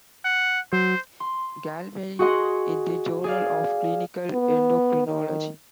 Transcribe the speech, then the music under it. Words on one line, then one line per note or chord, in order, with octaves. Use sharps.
Gallwey in the "Journal of Clinical Endocrinology".
F#5
F#3 C5
C6
F#4 G#4 D#5 F#5 C6
G#4 D5 F5
B3
D#3